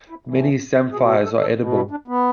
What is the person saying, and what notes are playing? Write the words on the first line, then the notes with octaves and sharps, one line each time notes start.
Many samphires are edible.
E4
A2 E3
B2 G#4
A4
A4
A4
B2
E4
D4
B3